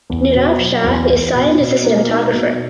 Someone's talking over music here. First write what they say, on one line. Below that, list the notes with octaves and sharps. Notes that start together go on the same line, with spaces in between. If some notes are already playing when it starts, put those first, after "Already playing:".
Nirav Shah is signed as the cinematographer.
E2
B2
F#3
E2
E2
B2
B2
A#3
D#4
B2